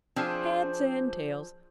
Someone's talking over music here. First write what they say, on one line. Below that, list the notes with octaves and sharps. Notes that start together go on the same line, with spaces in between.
Heads and tails.
F3 C4 D4 G#4